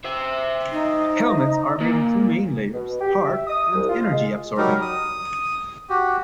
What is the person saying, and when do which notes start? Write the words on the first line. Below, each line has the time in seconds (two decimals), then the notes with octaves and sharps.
Helmets are made in two main layers: hard and energy-absorbing.
0.04 C5 E5
0.71 D#4
1.81 A#2
2.73 B2
3.01 G4
3.26 E5
3.46 D#6
3.74 C2
3.88 F4
4.11 G#3
4.57 F#3 G3 D#4 A#4
4.82 D#6
5.90 F#4 G4